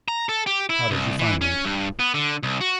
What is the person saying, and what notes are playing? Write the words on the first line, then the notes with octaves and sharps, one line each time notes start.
How did you find me?
A#5
A4
G4
E4
C2
E3
C#4
G2
B3
D3
C2
F#4